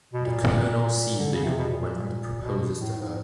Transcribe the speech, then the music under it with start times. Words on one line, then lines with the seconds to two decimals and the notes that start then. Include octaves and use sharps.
The colonel sees the young woman and proposes to her.
0.13 B2
0.25 A#2
1.19 D3
1.32 C#3
1.44 C3
1.57 B2
1.70 A#2
2.42 B2
2.78 A2
2.97 G#2